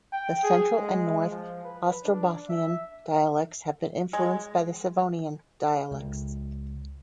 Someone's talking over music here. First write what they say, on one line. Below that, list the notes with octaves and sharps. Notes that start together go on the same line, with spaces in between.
The Central and North Ostrobothnian dialects have been influenced by the Savonian dialects.
G5
G#4
G#3
F3
B4
D4
E5
G#3
C#2